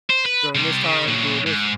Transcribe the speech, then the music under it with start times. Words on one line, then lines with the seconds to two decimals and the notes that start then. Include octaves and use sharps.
during this time, do this"
0.10 C5
0.26 B4
0.55 C3 G3
0.83 C#3
1.07 A#2 F#3
1.47 G#2